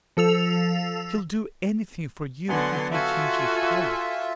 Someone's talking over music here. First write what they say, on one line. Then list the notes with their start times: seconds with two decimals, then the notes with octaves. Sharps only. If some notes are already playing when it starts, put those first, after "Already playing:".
He'll do anything for you if you change his color.
0.17 F3 A4 E6 F7
2.49 D3 F#3 B3 F#5 G#5 C6
2.92 F4 F#4 A4 E5 G#5